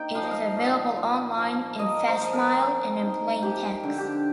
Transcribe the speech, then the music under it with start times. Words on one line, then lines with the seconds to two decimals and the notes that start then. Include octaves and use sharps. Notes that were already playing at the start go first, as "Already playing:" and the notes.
It is available online in facsimile and in plain text.
Already playing: A#3 D#4 G5
0.15 F3 F5
0.23 D#5
0.31 F5
0.57 A#2
0.97 F4
1.38 F3
1.79 A#3 D#5
2.07 C5
2.20 F3
2.33 A#4
2.61 C4
3.02 D#4
3.43 F3 G4
3.84 D3
3.98 G4